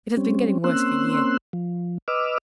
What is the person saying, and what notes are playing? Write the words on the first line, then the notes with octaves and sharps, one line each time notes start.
It has been getting worse for years.
G3 C4 C#4
A#3 C4 C#4 C6 E6 F#6
F3
B4 D#5 D6 E6 F6